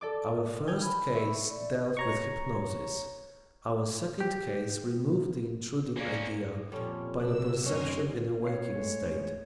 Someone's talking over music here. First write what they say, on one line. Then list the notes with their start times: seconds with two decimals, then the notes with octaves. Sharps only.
Our first case dealt with hypnosis, our second case removed the intruding idea by a perception in a waking state.
0.01 A4 D5 D6
0.67 G5 G#5 F6
0.82 B5
1.15 E5 C#6
1.49 D5
1.97 C#5 A#5 C#6
4.20 G4
5.97 A#3 C#4 G#4 D5
6.72 F2 A#2 G3 C#4 A4
7.20 C3 D4 E6
7.63 F#2 B2 C#4 G#5 A#5 C6
8.42 C4 C#5 F5 C7
8.73 A2 G#3 A3